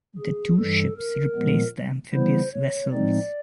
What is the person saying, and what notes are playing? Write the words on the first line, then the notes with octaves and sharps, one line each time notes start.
The two ships replaced the amphibious vessels.
G#4
G2 E3 G3 A4
A#4
A#2 F3 G#3 B3
C#3 E3 G3 B3 E4 C5
C#5
A2 F3 G#3 C4 D#4 D5